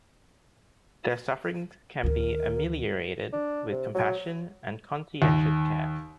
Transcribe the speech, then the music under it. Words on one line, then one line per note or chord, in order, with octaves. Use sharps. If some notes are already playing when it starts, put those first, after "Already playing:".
Their sufferings can be ameliorated with compassion and conscientious care.
D2 D#3 A#4
D4
C3
F#3
D#2